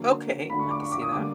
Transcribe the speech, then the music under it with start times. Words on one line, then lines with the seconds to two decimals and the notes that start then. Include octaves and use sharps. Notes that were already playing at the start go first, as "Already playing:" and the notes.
Okay, I can see that.
Already playing: D3 F#3 A#3
0.49 D3 F#3 A3 B5
0.59 C#6
0.71 D6
0.80 C#6
0.92 D6
1.02 D#6
1.12 D3 G3 A#3 D6